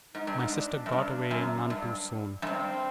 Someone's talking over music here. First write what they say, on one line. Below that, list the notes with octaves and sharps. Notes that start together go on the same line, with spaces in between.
My sister got away none too soon.
G#2 D#4
G2
G#2
D4
F#2
G2 D4
F#2
G2
F#2
G2 C4